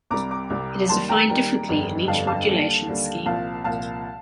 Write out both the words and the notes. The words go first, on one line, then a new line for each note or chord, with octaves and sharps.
It is defined differently in each modulation scheme.
C2 C3 G3 A#5 D6
A#5 D6
C2 C3 G3
D#2 D#3 G3 A5 C6
G5 A#5
D#2 D#3 G3 G5 A#5
G1 F2 D3 G3
G1 F2 D3 G3 F5 A5
F5 A5
D#2 D3 G3
D#2 D3 G3
C2 A#2 F3 F5 A5
C2 A#2 F3 F5 A5